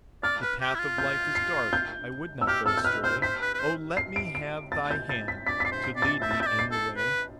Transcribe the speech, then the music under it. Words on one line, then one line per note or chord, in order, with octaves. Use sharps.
"The path of life is dark, I would not go astray; Oh, let me have Thy hand To lead me in the way."
D5 F6
B4
G4
E4
F4
G6
C7
G6
E6
G4 F6
A4 E6
G6
B4 F6
C5 G6
C5 B6
B4
B4
C5
C7
D7
D7
A6
G6
A6
B6
D5 B6
B6
D5 C7
C5
C7
D5
A6
E5 G6
A6
E5 G6
D5
C7
A4
B4